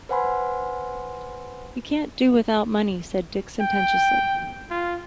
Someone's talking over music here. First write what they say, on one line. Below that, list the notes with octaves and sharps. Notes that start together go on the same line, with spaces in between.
"You can't do without money," said Dick sententiously.
B4 C5 F#5 G#5 B5 C6
G5
F4